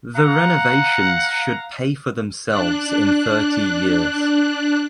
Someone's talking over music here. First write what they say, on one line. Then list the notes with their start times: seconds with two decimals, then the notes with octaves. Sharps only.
The renovations should pay for themselves in thirty years.
0.16 F5 F#5 A#5
2.48 D4 F#6